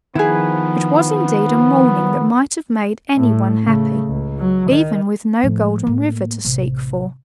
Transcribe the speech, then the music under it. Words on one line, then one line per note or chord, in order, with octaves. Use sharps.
It was indeed a morning that might have made anyone happy, even with no Golden River to seek for.
D#3 F3 B3 E4 G#4 B4
A2 A3
C#3 A3
C#2
F#3
D#3
A2 F3
A2 A#3
A1 C3